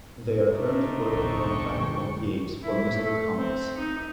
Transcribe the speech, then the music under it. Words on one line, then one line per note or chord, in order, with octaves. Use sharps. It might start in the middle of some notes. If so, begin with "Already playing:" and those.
They are currently working on "Planet of the Apes" for Mr.Comics.
A3 C4 D4 D#4
D1 B1 E2 G5 C#6
G1 F2 G#3
E4
A3
C4
D#4